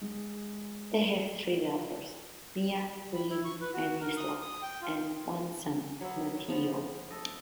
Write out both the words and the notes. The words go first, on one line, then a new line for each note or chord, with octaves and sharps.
They have three daughters: Mia, Livvy, and Isla, and one son, Matteo.
G#3
B5
E4
C#6
B4
F#4
A#4
D#6
D#6
G5
F4
F#3 B3 F#4 E5
F3 B3
A4 D#5